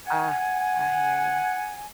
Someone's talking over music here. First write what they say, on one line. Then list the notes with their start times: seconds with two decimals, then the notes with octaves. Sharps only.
Ah, I hear you.
0.06 F#5 G#5